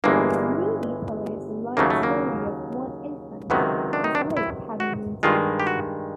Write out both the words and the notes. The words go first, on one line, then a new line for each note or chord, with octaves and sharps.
The movie follows the life story of one infant, whose lip hadn't been tapped.
G1 G2 E3 G#3 A#3
D#2 C#3 F#3 A3 A#3
A3
A#3
C#2 C3 D#3 F#3 B3
D4
D#4
D4
E4
F#4
G2 D#3 G#3 F4
G4
F#4